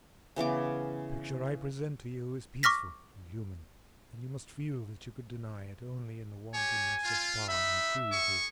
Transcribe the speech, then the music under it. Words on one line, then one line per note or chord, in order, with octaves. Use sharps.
The picture I present to you is peaceful and human, and you must feel that you could deny it only in the wantonness of power and cruelty.
C#3 E3 B3 D6
C#6 D6 F6 A#6 B6
G4 C#5 G#5
F4
D#4 E5 B5
G#4 C#6